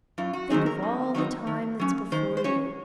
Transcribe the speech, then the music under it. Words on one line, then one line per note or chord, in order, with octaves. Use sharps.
Think of all the time that's before you.'
F#2 F4
F#4
D#3 F#3 C4 D#4 G#4
A#4
F#2
D#3 F#3 C4 D#4
D#3
F#3 C#4
D#3 C5
C5
F#3 C#4 C#5